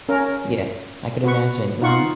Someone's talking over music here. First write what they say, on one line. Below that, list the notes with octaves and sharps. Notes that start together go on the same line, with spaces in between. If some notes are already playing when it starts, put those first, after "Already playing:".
Yeah, I could imagine. Mhm.
C#4 A#4
F#4 B4 C#6
D#4 F4 F#5 C#6